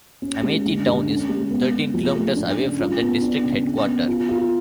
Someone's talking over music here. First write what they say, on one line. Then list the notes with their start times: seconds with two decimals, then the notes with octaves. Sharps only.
Amethi town is thirteen kilometers away from the district headquarter.
0.22 C#4
0.43 G#3
0.65 D3
0.86 D3
1.07 C#4
1.29 G#3
1.51 B3
1.71 B3
1.94 F3
2.15 A3
2.36 D4
2.58 C#3
2.79 F4
3.00 B3
3.22 D4
3.43 C#3
3.64 C#3
3.86 B3
4.08 F4
4.29 F4